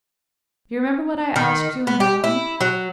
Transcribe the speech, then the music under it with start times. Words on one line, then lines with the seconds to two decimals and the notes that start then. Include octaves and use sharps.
Do you remember what I asked you in Rome?
1.36 D#3
1.87 B3
2.00 G4
2.24 E4
2.61 F#3